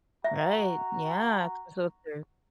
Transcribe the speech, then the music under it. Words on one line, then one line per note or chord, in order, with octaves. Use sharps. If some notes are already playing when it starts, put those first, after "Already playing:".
Right, yeah, so true.
F#4 E5 A#5